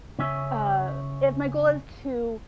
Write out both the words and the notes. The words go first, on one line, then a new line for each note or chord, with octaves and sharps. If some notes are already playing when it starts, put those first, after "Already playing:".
uh, if my goal is to
C#3 C#4 E5